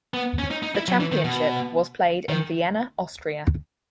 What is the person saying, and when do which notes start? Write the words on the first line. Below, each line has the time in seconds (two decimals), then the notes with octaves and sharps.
The Championship was played in Vienna, Austria.
0.14 B3
0.39 C#4
0.51 D#4
0.63 D#4
0.75 E4
0.88 F#3
1.00 E3
1.12 D#3
1.24 B2
2.29 D#3